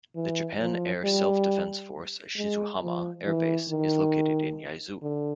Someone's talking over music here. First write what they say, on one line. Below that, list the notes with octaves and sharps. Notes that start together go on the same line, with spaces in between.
The Japan Air Self-Defense Force Shizuhama Air Base is located in Yaizu.
E3
F3
G3
G#3
F3
E3
D#3
D3